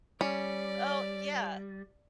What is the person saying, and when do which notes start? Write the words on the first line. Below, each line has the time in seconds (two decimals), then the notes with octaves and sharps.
Oh, yeah.
0.21 G3 C#4 D5